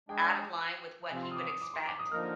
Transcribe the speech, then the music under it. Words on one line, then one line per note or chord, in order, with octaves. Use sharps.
out of line with what he would expect.
G#3 D4 G#4 G5
C3 F3 C4 F4 G#5
C6
D#6
D6
D#6
D6
C6
D6
D#6
D3 F3 A#3 D#4 A#4 F6